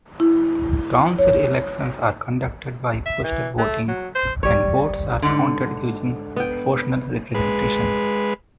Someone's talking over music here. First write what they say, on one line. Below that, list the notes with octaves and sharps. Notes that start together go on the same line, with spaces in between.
Council elections are conducted by postal voting and votes are counted using proportional representation.
E4
C#5
E5
E3
A3
F#3
C5
G3 C#5
G#2 D3
B3 G5
G#3 B4